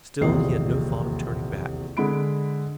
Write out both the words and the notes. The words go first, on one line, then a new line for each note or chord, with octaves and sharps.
Still he had no thought of turning back.
D#1 A#1 E2 C3 D#5 C7
D3 G#3 B5 D7